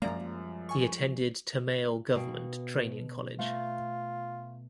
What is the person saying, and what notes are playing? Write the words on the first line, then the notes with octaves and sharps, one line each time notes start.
He attended Tamale Government Training College.
F#2 F3 G3 G#3 A#3 D5 A#5
G#5 C#6
B2 F#4 F5 G5
A3 F4